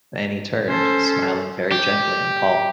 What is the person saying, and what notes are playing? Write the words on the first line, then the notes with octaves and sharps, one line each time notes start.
Fanny turned, smiling very gently on Paul.
C#4 A4 C5
G4